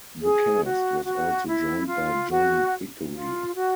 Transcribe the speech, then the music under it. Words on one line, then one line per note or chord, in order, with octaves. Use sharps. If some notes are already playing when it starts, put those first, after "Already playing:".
The cast was also joined by John Vickery.
G#4
F#4
F#4
E4
F4
F#4
F4
F#4